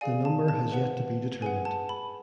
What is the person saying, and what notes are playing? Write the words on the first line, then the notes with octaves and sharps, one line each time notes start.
The number has yet to be determined.
G#4 D5 F5 G#5
A5
A5
B4 F#5
G#4 B4 F#5 G#5
A5
B5